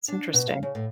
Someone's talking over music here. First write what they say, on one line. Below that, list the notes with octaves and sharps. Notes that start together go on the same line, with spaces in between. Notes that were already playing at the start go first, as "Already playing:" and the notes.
it's interesting.
D4
B2
F5
C#3
A2